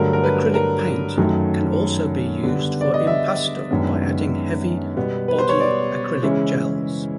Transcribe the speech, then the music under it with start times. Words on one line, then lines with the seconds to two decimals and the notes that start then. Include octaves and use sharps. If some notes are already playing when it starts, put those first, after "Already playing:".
Acrylic paint can also be used for impasto by adding heavy body acrylic gels.
Already playing: G2 D3 F#3 A3 A#4
0.13 A#4
0.24 B4
0.54 A#4
1.17 F#2 D#3 F#3 A3
2.43 D3 G3 B3
2.81 D5
2.94 D#5
3.07 E5
3.70 F#2 D#3 G#3 B3 D4
4.97 B2 G3 B3
5.28 B4
5.39 C5
5.49 C#5
5.60 D5
6.23 C#3 E3 G#3 C#4 E4